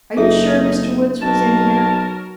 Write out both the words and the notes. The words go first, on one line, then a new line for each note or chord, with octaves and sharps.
"Are you sure Mr. Woods was in here?"
F#1 D#4 G#4 A4 E5
B1 F#3 A#4 A5